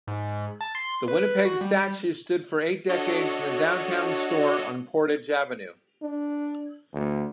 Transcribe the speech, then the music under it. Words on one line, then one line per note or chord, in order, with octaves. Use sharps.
The Winnipeg statue stood for eight decades in the downtown store on Portage Avenue.
G#2
A5
C6
B4
F#4
G3
D4 F#4 A4 C#5 D#5
D4
D2